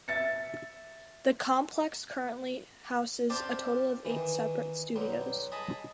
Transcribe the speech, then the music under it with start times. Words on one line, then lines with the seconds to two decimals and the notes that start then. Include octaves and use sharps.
The complex currently houses a total of eight separate studios.
0.08 E5 A6 C#7
3.30 C4 G4 D5 F5 A5
4.05 D#3 E3
4.96 B1 F#3 G3
5.52 G#4 D#5 A5 B5